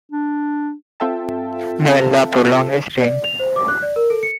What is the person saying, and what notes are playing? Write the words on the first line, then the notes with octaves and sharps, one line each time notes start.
May Allah prolong his reign.
D4
C4 F4 A4 E5 G5 A5
D5
F7
C5
D6
F#6
D5
A#4
A4
C#7